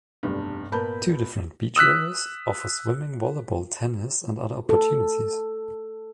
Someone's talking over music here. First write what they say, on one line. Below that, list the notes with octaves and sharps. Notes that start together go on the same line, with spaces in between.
Two different beach areas offer swimming, volleyball, tennis, and other opportunities.
F1 B1 G2
A#2 B3 A#4 A5 B5 G6
D#6 E6 F#6 B6
A4